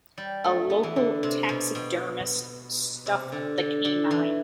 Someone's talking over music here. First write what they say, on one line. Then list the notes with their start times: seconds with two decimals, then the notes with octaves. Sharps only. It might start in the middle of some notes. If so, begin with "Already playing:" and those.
A local taxidermist stuffed the canine.
0.18 G3
0.44 A3
0.70 B3
0.83 E3
0.96 D3
1.23 C3
1.49 B2
1.75 B2
3.06 C3
3.32 D3
3.58 D3
3.85 D3
4.11 E3